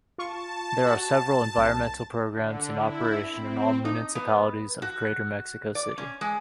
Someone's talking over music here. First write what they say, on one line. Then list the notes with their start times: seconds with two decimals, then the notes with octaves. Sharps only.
There are several environmental programs in operation in all municipalities of Greater Mexico City.
0.18 F4 A5 C#6
0.86 F#4
1.57 C2
2.28 D3
2.74 E4
3.30 C4
3.85 D#4
4.15 B3
4.82 F#4
5.75 D5
5.98 C#4
6.21 G#3